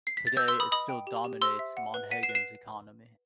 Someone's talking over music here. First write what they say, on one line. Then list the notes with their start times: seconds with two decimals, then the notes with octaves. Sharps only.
Today, it still dominates Monhegan's economy.
0.07 C7
0.17 B6
0.27 A6
0.37 B4 E6 G6
0.48 C6 E6
0.55 B4
0.60 B5 D#6
0.72 D#5 B5 D#6
0.89 G5
1.07 G4
1.24 G4
1.41 C5 C6 E6
1.59 E5
1.77 F#5
1.94 B4
2.11 F#5 B6 D#7
2.23 C7 E7
2.29 B4
2.35 C7 E7